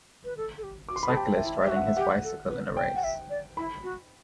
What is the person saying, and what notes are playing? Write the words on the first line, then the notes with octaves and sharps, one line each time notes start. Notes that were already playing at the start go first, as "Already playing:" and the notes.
Cyclist riding his bicycle in a race.
B4
A4
A4
G4
F#4 D6
C6
B5
A4 A5
G4 G5
E5
E4
E5
G4
F#4 E5
F#5
E5
G4 F#5
A4
B4
G5
F#5
E5
D5
E4 B5
F#4